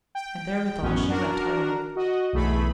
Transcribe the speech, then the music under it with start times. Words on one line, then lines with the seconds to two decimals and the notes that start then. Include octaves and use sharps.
And therewithal she wept heartily.
0.15 G5
0.82 A1 F#2 B3 C#4
1.08 D4 F#4 A#4
1.96 F#4 D#5
2.33 B1 E2 A3 G#4 B5